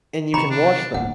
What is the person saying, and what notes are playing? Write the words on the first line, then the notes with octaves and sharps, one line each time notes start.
And you can wash them.
C3 D#3 A#5 B5 C#6
D4
D1 G1 A#3 F#5